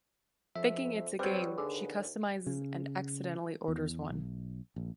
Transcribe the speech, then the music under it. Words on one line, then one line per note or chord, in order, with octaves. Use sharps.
Thinking it's a game, she customizes and accidentally orders one.
F2 F3 E5
F#3 G3 C4 B4 D5
D#2 D3 G#4
C#3
E2
B1
A#1